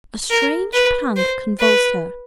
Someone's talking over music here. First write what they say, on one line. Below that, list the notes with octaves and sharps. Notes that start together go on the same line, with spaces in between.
A strange pang convulsed her.
A#4
B4
C5
B4